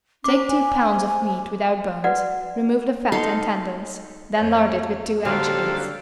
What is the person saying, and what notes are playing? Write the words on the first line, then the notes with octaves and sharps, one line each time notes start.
Take two pounds of meat without bones, remove the fat and tendons, then lard it with two anchovies.
C#4 C5 D6
G#5
F#4 B4 D5 F#5
D#4 A4 F5 C6
F2 C#5
D#2 D3 F#3 G3 C4 G4 A4 F5